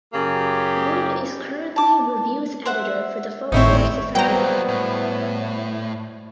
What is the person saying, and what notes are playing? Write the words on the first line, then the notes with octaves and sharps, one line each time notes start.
Wood is currently Reviews Editor for the Folklore Society.
F#2 C#3 A#3 G4
A5 D6
C5 E5 F#5
G#1 A2 C4 D#4 E4 C#5
F#3 G3 A#3 B3 F#4 C5 G5 A#5
A2